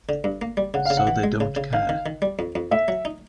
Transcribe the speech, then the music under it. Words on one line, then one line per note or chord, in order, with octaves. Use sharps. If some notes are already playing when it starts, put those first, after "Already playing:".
So they don't care.
D3
G2
A#3
G3
C#3 F#5
C#3 F5
F#5
E3
G#3
C#3
C#3
D#3 F5
D#3
D#3
G3
F2
F2
A2 E5
F#3
D#4